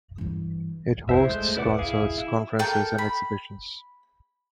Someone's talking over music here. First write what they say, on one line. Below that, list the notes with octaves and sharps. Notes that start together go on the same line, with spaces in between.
It hosts concerts, conferences and exhibitions.
G2 E3
E4 C5 E5
G#3 A3 C5 G6
E4 B4 D5 F#5 D6
E4 G#4 F5
E4
A4 A#4 G5
B5